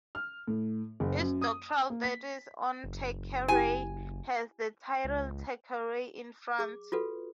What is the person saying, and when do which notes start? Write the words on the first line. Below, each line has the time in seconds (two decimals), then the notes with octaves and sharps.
His doctoral thesis on Thackeray has the title "Thackeray in France".
0.15 F6
0.47 A2
1.00 F#1
1.19 F#2
1.41 D#6
1.90 A#3
2.03 B6
2.84 F#1
3.48 E4 G4 G5 G#5
5.04 C#2
6.59 G#4 D6
6.92 F4 F#4 A4 B4